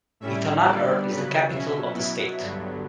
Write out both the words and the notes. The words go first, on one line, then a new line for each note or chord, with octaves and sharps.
Itanagar is the capital of the state.
A2 G3 C#4 E4 E5
D3 G3 B3 D4 D5
C#3 F#3 B3 B4
B2 F#3 C#4 E5
B2 F#3 B3 E4
G2 D3 F#3 B3